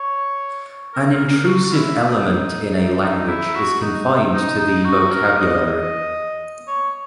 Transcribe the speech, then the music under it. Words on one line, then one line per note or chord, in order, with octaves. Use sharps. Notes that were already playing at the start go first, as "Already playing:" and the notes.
An intrusive element in a language is confined to the vocabulary.
Already playing: C#5
A#4
A#4
F#4
F#4
E4
D#4
D#4
E4
F#4
D#4
D#4
D#4
F#4
A#4
D#5
C#5